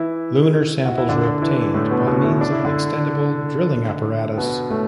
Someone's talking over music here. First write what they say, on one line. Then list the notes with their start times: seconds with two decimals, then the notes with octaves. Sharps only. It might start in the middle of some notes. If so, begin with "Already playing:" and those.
Lunar samples were obtained by means of an extendable drilling apparatus.
Already playing: E3 E4
0.85 F#4
0.98 E4
1.09 D3 D4
1.42 E3 E4
1.74 A2 A3
1.91 B2 B3
2.07 B2 B3
2.24 E3 E4
2.41 D4
2.52 E4
2.65 D3 D4
4.37 B2 B3
4.70 A2 A3